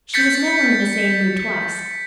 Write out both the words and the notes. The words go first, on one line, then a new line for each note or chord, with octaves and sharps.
She was never in the same mood twice.
G6 A6 B6 C#7